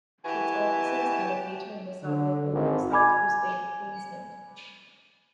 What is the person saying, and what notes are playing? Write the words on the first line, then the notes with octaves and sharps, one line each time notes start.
Its offices are located in the suburb of South Brisbane, Queensland.
E3 F#4 G4 G#5 A5
D3
G#1
G#5 B5 D6 G#6